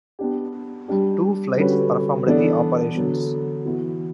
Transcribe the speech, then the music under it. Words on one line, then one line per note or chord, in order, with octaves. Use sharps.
Two flights performed the operations.
B3 D4 G4
G3 D4 G4
D3 G3 C#4 F#4 B4
E3 B3 D4 A4 D5
D3 F#3 B3
E3 B3 F#4